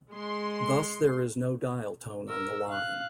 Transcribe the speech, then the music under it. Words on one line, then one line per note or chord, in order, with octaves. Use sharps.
Thus there is no dial tone on the line.
G#3 C6
A#4 E6
F5 F#6